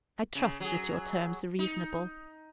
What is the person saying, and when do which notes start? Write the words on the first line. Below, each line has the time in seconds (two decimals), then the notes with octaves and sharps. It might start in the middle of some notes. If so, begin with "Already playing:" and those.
I trust that your terms are reasonable.
0.35 C#3
0.60 F#3 G#4
1.59 D#4